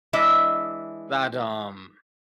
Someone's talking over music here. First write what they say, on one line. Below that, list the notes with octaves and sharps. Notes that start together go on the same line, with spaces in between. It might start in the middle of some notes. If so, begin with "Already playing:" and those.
but, um,
E3 G#3 D4 E4 D#5 E5